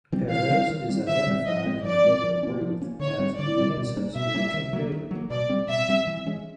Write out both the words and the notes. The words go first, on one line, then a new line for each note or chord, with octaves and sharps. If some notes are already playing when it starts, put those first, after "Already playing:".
Perez is identified in the Book of Ruth as the ancestor of King David.
E3 G3 C4
C3 F5
E3 G3 C4
D#3
G3 C4
D#3 E5
G3 C4
F3 D#5
G#3 C4
F3 D5
G#3 C4
F3
A#3 C#4
F3
A#3 C#4
D3 C#5
G3 C4
D3 D5
G3 C4
B2
G3 A#3 C#4
B2 E5
G3 A#3 C#4
D#3
F#3 A#3
D#3
F#3 A#3
B2 D5
G3 C4
B2 E5
G3 C4
E3
G#3 C#4